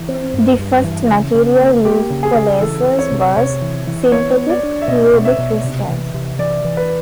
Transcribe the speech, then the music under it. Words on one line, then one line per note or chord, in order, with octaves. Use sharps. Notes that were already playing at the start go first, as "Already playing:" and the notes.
The first material used for lasers was synthetic ruby crystals.
Already playing: E3
C4
G2
G2
E3
C#3
C#3
A#3
A#3 G4
C#3
G#4
C#3
E3 A4
C4
C#5
C3
C3 C#5
E3
E3
B3 C#5
B3
D5
D4
E5
B2 D#5
B2
E5
B2
C3
E3
C3
E3 D5
E3
B4